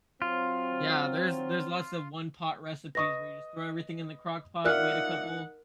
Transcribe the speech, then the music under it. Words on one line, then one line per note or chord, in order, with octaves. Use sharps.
Yeah. There's there's lots of one-pot recipes where you just throw everything in the crockpot, wait a couple
F#3 C4 F4
B4 D#5 C#6 D#6 A#6
D#4 F4 A#4 D5 E5 F#5 F6 F#6